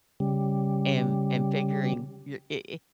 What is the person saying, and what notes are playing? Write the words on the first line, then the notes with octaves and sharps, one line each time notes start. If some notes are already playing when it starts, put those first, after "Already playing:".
and and figuring your i i
C#3 G3